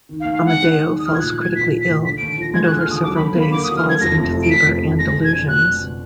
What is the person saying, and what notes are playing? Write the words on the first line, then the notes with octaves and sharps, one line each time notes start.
Amadeo falls critically ill, and over several days falls into fever and delusions.
D#3
F5
D#2
F5
G#3 F#5
D4
D#3
D#2
D#6
F3 F6
G#6
F#6
A#2
F#6
G#3 G#6
A#2 B6
F3
B6
A#2
D3 B6
D7
D#2
D7
F3 A#6
G#3 G#6
F#6
D3
F6
D#2 D#6
F#3 D6
B5
D3
A#3 B5
D3 D6
D#6
F#3
F6
D3 G#6
F2 A#6
F1
F3
D7
F1 B6
F2
F1
G#3 A#6
B2
G#6
D4
F#4 F#6
G#3
B2